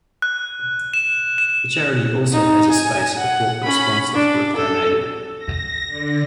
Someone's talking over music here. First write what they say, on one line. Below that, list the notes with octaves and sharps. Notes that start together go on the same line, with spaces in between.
The charity also has a space for corporate sponsors who have donated.
F#6
E7
E7
D#4
G#5
F#5
C#4 B5
D4
A4
A#6
D3